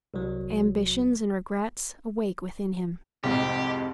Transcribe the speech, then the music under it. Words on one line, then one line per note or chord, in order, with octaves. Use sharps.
Ambitions and regrets awake within him.
C2 F#3
C2 F2 G#2 G4